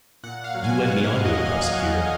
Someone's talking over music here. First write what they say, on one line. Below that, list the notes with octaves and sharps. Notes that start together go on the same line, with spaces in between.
You led me on to it, prosecutor?
A#2 F#5
F5
F#3
G#5
A#2 F#5
F#5
F#3
D#5
A#2 D#5
F#3